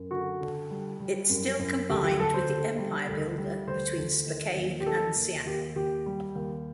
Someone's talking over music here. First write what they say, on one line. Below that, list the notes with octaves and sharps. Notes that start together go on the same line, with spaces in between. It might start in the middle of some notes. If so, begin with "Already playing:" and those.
It still combined with the "Empire Builder" between Spokane and Seattle.
Already playing: F#2
D3 F#4
D3
G3
G3
F#2
F#2
D2 G4
G4
D2 A4
C5
D3
G3
D2
G3
D2 C5
D2
D#3
D#2
G4
D#3 A4
D#2
D#2 G4
D#2 G4
G3
D#2